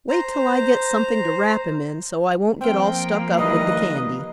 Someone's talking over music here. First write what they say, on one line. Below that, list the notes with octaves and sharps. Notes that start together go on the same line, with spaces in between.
"Wait till I get something to wrap him in so I won't get all stuck up with the candy."
C5 A#5
F3 A#3 C4 F5 G5
D#3 G3 E4 B4 D#5